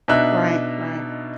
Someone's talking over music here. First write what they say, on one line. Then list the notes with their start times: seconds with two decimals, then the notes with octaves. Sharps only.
Right, right.
0.08 B2 D4 D#4 E5 F#6